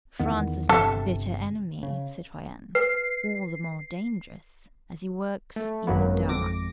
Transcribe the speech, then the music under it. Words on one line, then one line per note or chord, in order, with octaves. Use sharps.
"France's most bitter enemy, citoyenne . . . all the more dangerous, as he works in the dark."
E2 D#3 B3
G1 C3 A4
C#3
B4 C7
A3
G#1 F#2 F#3 A#3 B3
G#1 F2 D6 A#6